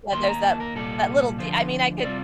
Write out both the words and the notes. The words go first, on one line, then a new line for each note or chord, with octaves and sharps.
Yeah, there's that that little de I mean, I could
D#2 D#3 A#3 C6
A#5
A5
A#4
C2 A#2 G3 A4
D2 D3 F3 C5
C3 G3 C4 F4 D5